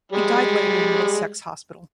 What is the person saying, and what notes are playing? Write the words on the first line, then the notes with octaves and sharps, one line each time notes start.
He died later in Middlesex Hospital.
G3 G#3